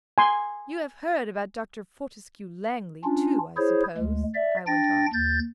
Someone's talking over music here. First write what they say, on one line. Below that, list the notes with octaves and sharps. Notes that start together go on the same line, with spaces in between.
'You have heard about Dr. Fortescue-Langley too, I suppose?' I went on.
G#5 C6
C#4 D4 F4
E4 G#4 C5 C#5
D2 G#3
D5 E5
D4 G5 A6 A#6
D#2 G6 A6